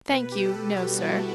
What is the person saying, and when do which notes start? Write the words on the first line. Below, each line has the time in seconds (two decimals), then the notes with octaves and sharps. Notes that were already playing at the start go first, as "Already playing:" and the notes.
"Thank you, no, sir."
0.09 B2 B4
0.32 G4
0.39 B2
0.45 A4
0.54 G4
0.69 G3
0.77 F#4
0.98 B3 E4